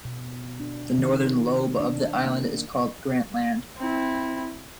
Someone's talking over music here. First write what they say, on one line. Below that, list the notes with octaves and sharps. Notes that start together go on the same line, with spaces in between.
The northern lobe of the island is called Grant Land.
B2
D4
D#3
D4
A#3
C4 E4